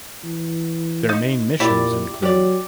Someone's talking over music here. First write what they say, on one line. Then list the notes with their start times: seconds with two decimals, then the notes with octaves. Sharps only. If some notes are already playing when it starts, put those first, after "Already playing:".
Their main missions include.
0.24 E3
1.09 D#4
1.60 A#2 E4 G4 D5
2.23 F#3 G4 D5